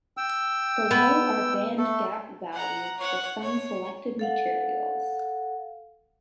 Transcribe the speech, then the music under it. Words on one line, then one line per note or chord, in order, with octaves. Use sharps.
Below are band gap values for some selected materials.
G5 E6
B3
A3 A4
F#5 A#5
C#5 F#5
C#5
A4 F5 F#5